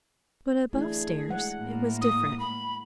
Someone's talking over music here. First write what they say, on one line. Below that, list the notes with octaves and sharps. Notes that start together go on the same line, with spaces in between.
But above-stairs it was different.
A3 D4 E4 G#4
G#3 F#5
A2 A#3
D#6
B5